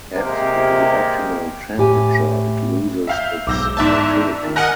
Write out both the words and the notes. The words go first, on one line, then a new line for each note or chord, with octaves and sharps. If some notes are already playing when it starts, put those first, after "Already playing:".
At the optimal temperature, it loses its motility.
C3 G#3 A#3 G4
A2 G4 G#5
E5 F5 G6
B1 G#2 D6 E6 G6 A#6
E2 G#2 D5 E5 A5
D#3
A#4 D#5 F#5 G#5 F#6 A#6